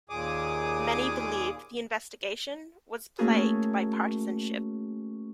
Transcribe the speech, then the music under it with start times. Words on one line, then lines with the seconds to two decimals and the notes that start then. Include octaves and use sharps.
Many believed the investigation was plagued by partisanship.
0.10 D#2 A#2 G#4 D6 D#6
3.18 A3 A#3 C#4 F#4 G#4 A#4